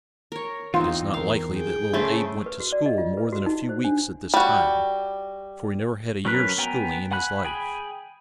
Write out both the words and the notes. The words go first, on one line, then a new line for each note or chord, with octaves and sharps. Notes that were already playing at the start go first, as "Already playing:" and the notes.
It is not likely that little Abe went to school more than a few weeks at this time, for he never had a year's schooling in his life.
A#4 C#5
E2 E3 C4 D#4 F4
A#4 F5
G#4 G5
C#3 A3 E4 C5
B4
F#4
D5
D#5
F4
B4
F#4
D#4
C5
D4
G3 F#4
F#3 C#4 A#4 B4 F#6
B3 G5 G#5 A#5
F#5 G#5 B5 F#6
G#4 G5 G#5 B5